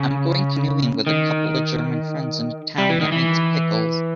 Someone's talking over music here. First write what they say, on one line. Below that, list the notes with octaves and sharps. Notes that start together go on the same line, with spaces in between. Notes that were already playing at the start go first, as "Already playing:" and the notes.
I'm going canoeing with a couple of German friends in a town that makes pickles.
Already playing: C#3
D#3
G3
E3
D#3
E3